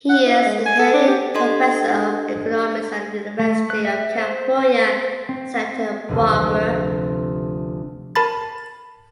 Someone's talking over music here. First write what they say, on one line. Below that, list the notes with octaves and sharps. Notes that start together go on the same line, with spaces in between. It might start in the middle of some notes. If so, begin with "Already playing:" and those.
He is the Henley Professor of Economics at the University of California, Santa Barbara.
F#5
E4
G#3
G#5
A4
D4
G4
D4 G4 A4 D#5 C6 G#6
A3
F#6
E5
C5
C5
C4
F1 D2 C3
A#4 A5 B5 A6